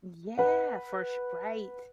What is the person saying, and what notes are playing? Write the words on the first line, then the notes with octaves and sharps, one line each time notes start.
Yeah, for su right.
B4 F#5